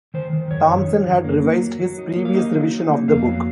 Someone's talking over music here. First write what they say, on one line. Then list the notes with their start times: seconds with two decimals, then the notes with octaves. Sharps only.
Thompson had revised his previous revision of the book.
0.14 D#3 C5
0.33 D#3
0.51 F#2 C#5
0.69 D#3
0.87 D#3
1.05 F#2
1.24 A#3
1.42 A#3
1.61 F#3
1.80 F#3
1.98 D#4
2.16 A#3
2.25 F5
2.34 D#4 D#5
2.52 F#3
2.71 D#4
2.89 A#3
3.08 F2 F5
3.26 F#3